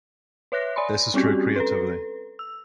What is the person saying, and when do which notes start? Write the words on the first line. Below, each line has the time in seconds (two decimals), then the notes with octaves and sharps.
This is true creativity.
0.52 B4 C#5 E5 F#6 A#6
0.76 D5 G#5 B5 C6
1.14 G3 C4 C#4 F#4 G4
1.56 A4 B4
2.39 E6